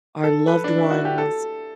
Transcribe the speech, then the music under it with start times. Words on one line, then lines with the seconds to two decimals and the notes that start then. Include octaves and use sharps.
our loved ones
0.24 A4
0.47 B4
0.64 D4
0.78 E4
0.91 F#4
1.05 G4
1.18 A4